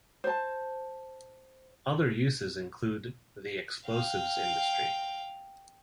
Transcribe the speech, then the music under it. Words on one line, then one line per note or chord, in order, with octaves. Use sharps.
Other uses include the explosives industry.
C5 A5
F5 G5